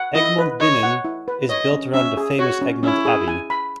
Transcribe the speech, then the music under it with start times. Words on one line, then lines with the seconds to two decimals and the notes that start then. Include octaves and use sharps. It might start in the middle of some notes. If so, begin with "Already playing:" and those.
Egmond-Binnen is built around the famous Egmond Abbey.
Already playing: F#5
0.15 E4 D#5
0.38 B4
0.60 C#5 D#5
0.83 F#5
1.05 E4
1.28 B4
1.49 C#5 D#5
1.72 C#4
1.94 C#4 E5
2.17 G#4
2.39 F#4 C#5
2.61 C#4
2.83 C#4 E4
3.05 G#4
3.28 G#5
3.50 B5